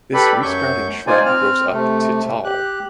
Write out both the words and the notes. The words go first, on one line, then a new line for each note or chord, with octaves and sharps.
This resprouting shrub grows up to tall.
G4 A4 B4 D5 B5
F#2 F#3 C#6 G6
D#4 F4 C5 D5 G#5
C4 F6
C3 A3
G4 F#6